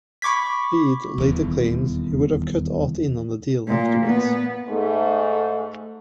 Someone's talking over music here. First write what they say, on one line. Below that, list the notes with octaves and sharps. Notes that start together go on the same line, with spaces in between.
Fede later claims he would have cut Art in on the deal afterwards.
B5 C#6 D6 G#6 B6
D#1 E2
A#2
B3
G#2 A3